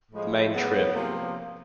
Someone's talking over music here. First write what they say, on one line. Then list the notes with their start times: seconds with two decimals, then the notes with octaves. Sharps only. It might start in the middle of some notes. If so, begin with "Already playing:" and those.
The main Trib.
0.11 A2 F3 G#3
0.53 C#3 F#3 B3
0.94 C3 F3 A#3